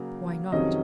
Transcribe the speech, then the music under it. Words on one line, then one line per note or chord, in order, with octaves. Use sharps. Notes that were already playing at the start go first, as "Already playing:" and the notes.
"Why not?"
Already playing: C#3 F#3 A#3
F2 C3 D#3 F#3 C#4 D#5